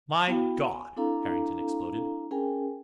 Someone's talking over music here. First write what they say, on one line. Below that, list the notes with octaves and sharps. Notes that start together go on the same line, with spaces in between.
"My God!" Harrington exploded.
B3 E4 F#4 F5 G5
G#5
C4 D4 E4 A4 F5 A#5
C#4 G#4 A#4 G5 G#5